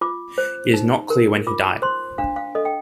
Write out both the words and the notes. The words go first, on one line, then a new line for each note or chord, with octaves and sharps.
It is not clear when he died.
F4 D6
C5
D#4
A#4
F4 D6
C5 C6
D4 F5
F5
A4 D#5
G5